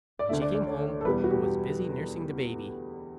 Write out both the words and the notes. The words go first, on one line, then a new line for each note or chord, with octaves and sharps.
When she came home, he was busy nursing the baby.
D5
D2 D3 A3 E5
D5
D5
C#5
A4
E2 B2 G3 B3 B4
F#4
G4
G4